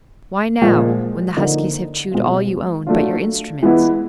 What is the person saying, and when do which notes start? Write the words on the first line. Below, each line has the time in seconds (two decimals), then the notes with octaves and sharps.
'Why, now, when the huskies have chewed all you own but your instruments?
0.62 A#2 F3 G#3
1.37 D3 F3 A#3 D#4
2.12 B2 G#3 C4 F4
2.87 F#3 A3 D4 F4
3.63 E3 G#3 B3 E4